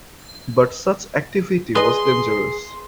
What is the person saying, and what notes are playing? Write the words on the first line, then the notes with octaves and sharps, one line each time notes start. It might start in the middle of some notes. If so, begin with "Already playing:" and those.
But such activity was dangerous.
G#4 B4 D#5 C6